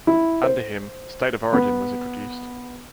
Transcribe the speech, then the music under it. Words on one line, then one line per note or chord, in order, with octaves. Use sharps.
Under him State of Origin was introduced.
E4
C5
B3